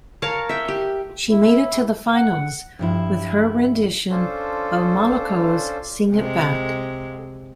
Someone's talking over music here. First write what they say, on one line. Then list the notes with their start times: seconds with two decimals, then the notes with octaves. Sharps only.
She made it to the finals, with her rendition of Moloko's "Sing It Back".
0.22 A#4 C#5 F5 A5
0.49 E5 G5
0.68 G4
1.31 E4
2.13 F#5
2.79 G2 F3 E4
4.10 C#4 D4 F4 A4 C5
6.12 C3 G#3